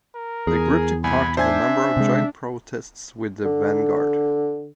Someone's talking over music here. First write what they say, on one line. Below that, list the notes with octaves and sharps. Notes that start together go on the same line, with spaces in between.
The group took part in a number of joint protests with the Vanguard.
A#4
E2 G#4
C2 G#5 B5
D4 C5 E5 G#5 G#6
C3 G#3
D3